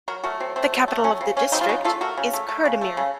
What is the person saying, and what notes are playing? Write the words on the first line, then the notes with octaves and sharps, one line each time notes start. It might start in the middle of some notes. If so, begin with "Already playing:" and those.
The capital of the district is Kurdamir.
F#3 F#4 A#4
A3 F#4 A#4
F#3 C4
A3 C4
F#3
A3
F#3 C#4
C#3 C4
C#3 C#4
F#3 C4 D#4
F4
C#3 D#4 F#4
A3 F4 A4
A3 F#4 A#4
C#3
A3
A3
C#3
A3
C#3